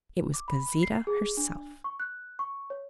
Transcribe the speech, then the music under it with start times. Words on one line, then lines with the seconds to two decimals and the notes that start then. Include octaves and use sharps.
It was Gauzita herself.
0.34 D6
0.48 B5
0.83 C7
1.07 G#4
1.37 D4
1.84 C#6
2.00 F#6
2.39 C#6
2.70 C#5